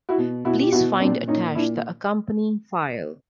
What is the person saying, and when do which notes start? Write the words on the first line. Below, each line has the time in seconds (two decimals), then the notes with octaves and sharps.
Please find attached the accompanying file.
0.09 E4 F#4
0.18 B2
0.45 B2 E4 F#4
0.61 G4
0.72 B2 E4 F#4
1.00 A#2 C4 D4
1.28 A#2 C#4 D#4
1.55 A#2 D4 E4